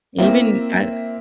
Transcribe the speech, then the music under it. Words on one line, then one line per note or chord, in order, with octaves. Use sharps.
even I
A#3 C4 E4 E5